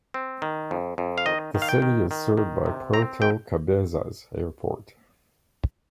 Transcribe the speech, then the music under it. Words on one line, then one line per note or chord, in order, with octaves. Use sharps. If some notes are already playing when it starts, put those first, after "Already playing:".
The city is served by Puerto Cabezas Airport.
C4
D#3
F2
F2
F5
D#3 D#5
D#3
F5
G5
D#3
D#3
D#3
C3
C4 A#5
G5